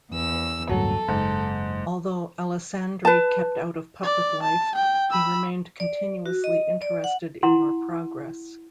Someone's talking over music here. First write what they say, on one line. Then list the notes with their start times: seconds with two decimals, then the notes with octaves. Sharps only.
Although Alessandri kept out of public life, he remained continuously interested in your progress.
0.12 E2 E6
0.69 D1 G2 F#3 A#3 A4
1.08 F#1 G#2
3.05 B4 A5
4.03 D5
4.43 A5
4.75 G5
5.11 B5 E6
5.80 D5
6.26 F#4
6.44 D#5
6.82 D5
7.04 F#5
7.43 E4 F#5 A#5 C6